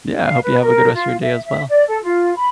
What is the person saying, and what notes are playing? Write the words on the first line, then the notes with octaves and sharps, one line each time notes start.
Yeah. I hope you have a good rest of your day as well.
F5
B4
A#4
F4
E5
E5
D5
A4
F4
B5